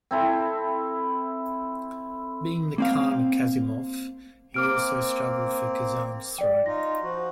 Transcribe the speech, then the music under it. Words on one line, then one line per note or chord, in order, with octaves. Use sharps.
Being the khan of Kasimov, he also struggled for Kazan's throne.
C4 E4 A4
A#3 C4 F5
A#3 C4 D6 F6 D7
D5 G5
D#4 F4 A#6
F3 F#4